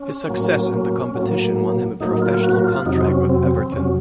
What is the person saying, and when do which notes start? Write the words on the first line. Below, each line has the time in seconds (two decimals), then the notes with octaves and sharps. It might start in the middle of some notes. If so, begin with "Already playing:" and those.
His success in the competition won him a professional contract with Everton.
Already playing: C#4
0.28 A2 F#3 A#3
1.14 A2 F#3 A#3
2.00 A2 F#3 A#3 D#4
2.22 F4
2.43 F#4
2.64 F4
2.85 F2 C3 F#3 D#4
3.00 C4
3.07 C#4
3.29 C4
3.51 C4
3.72 F2 C3 F#3 C#4